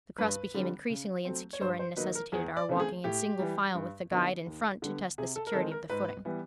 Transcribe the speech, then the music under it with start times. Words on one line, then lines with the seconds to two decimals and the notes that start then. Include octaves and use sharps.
The crust became increasingly insecure, and necessitated our walking in single file with the guide in front, to test the security of the footing.
0.18 G2 B4
0.54 D3 G3 C4
0.90 C#3
1.25 F#3 A3 C4
1.53 C#5
1.61 G2 C5
1.79 C5
1.97 D#3 F#3 A#3 D#4 B4
2.15 A#4
2.32 E2 G#4
2.57 D5
2.69 C#3 E3 A3 C4
2.80 G#4
3.04 A2 G4
3.39 E3 G3
3.75 G2
4.11 D3 F#3 B3 D#4
4.47 D#2
4.82 D3 G3 B3
5.18 C3 G#4
5.36 A4
5.47 A#4
5.53 D#3 G#3 C4 A4
5.71 A#4
5.90 G#2 B4
6.25 E3 G3 B3